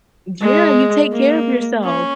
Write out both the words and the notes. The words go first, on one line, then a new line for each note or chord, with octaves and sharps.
D yeah, you take care of yourself.
G#3
A#3
C#4